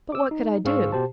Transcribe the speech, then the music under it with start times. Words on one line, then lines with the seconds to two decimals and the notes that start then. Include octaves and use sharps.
But what could I do?
0.12 D6 E6
0.31 D#4
0.65 G#2 G#4 C5 F5 C#6 E6
0.92 B2 G4 C5 A5